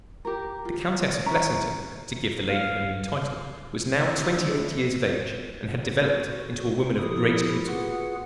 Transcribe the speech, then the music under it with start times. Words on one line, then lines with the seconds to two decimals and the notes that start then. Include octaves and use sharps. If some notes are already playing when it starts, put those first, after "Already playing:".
The Countess of Blessington--to give the lady her new title--was now twenty-eight years of age and had developed into a woman of great beauty.
0.25 G4 A#4
0.65 F4
1.26 C#4 E5 A#5
2.49 F5
4.00 D3 D#3 E4
6.07 F#4
6.98 F3 E4 G4 A4 D#6
7.67 F4 F#4 G#4 B4 F#5